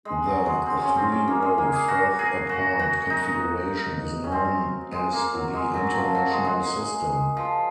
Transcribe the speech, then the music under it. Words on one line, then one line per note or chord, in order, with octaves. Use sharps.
The three-row fourth-apart configuration is known as the international system.
G#3
F#3
G#3
C4
C#4
C4
C#4
A#3
G#3
A#3
G#4
F#4
G#4
F#4
F#4
D#4
C#4
C4
G#3
A#3
F#3
G#3
F#3
F#3
F3
F#3
G#3
G#3
F3